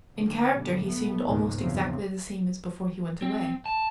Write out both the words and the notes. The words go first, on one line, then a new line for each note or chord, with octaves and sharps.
In character he seemed almost exactly the same as before he went away.
D3 D#3
F#2 B2 D3 G3
B2 A3 B3
C#2 G#2 B2 D#3 A#3
E2 G2 C#3 F3 C4
C4
A5